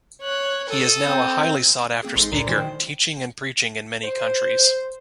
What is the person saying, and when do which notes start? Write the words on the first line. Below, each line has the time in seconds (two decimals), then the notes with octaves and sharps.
He is now a highly sought after speaker, teaching and preaching in many countries.
0.21 C#5 F#6
0.70 A4 D#6
1.06 C4
2.03 A#3 C4 G#4
2.16 A1 G#2 A4 C6
2.32 C#2 G2 A#2 D3 A#4
2.46 A2 E3 F#3 C5
2.58 D#3
4.04 C5